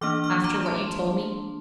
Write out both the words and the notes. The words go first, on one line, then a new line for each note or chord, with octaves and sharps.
After what you told me?
E3 A#3 D4 D6 F6
D6 F6
A#5 D6
A5 C6